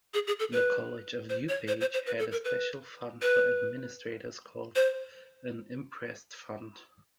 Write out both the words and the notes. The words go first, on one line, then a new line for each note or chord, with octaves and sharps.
The College of DuPage had a special fund for administrators called an imprest fund.
G#4
G#4
A4
B4
C5
C#5
C5
C5
C5
B4
A4
A#4
B4
B4
C5